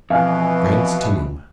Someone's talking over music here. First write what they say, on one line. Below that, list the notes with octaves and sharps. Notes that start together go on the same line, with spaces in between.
Grant's Tomb.
F2 B2 E3 F5 G#5 F6